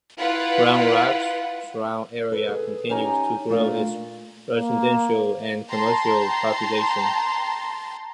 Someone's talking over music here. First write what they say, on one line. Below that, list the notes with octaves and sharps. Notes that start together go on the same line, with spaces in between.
Round Rock's surround area continues to grow its residential and commercial population.
E4 F4 B4 F#5
A4 B4
G#4
C#4 D#4 G4 G#5 A#5
A#2 A3 D4 F4 G#4 A#4
A#3
G5 A5 A#5 C6